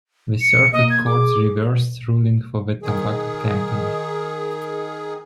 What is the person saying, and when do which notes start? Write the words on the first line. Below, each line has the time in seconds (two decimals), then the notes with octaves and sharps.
The Circuit Court reversed, ruling for the tobacco company.
0.41 C#7
0.73 A#3 D#5
0.90 G#6
1.06 G#4 D6
2.83 D#3 G#4